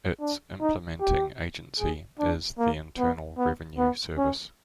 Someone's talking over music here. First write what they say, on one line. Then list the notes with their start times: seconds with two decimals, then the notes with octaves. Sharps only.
Its implementing agency is the Internal Revenue Service.
0.21 D4
0.61 D#4
1.01 G4
1.79 G#4
2.19 D4
2.58 A#3
2.98 B3
3.38 B3
3.78 B3
4.18 C#4